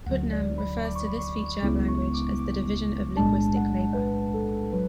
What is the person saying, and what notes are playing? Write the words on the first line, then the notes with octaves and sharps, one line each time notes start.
Putnam refers to this feature of language as "the division of linguistic labor".
D2 D3 F#3 F#5
D5
B5
D6
C#6
B5
C#6
C#2 C#3 G#3 B3 E4 D6
C#6
D6
D6
B1 A2 G#3 D4 A5
F#5
B4
A4
F#3 B4